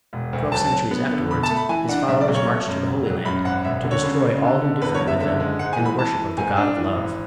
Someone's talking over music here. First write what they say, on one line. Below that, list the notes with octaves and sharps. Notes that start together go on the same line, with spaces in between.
Twelve centuries afterwards his followers marched to the Holy Land to destroy all who differed with them in the worship of the God of Love.
E1
D2
F#3 A5
F#3
B3
D3
B2 B5
A5
A3
B5
E3 G#5
D4 F#5
B1 E5
D5
B1
C#5
A3
F#2
E1
F#3
F#2 B5
G#1 F#5
E1 E5
D3
C#5
C#3
C#3
D3
D3
E2 B4
C#5
F#1
E5
D3 E5
G#3
G#2 F#5
G#5
E3
B5
E3 A5
E3
G#2 G#5
D4
E3
G#1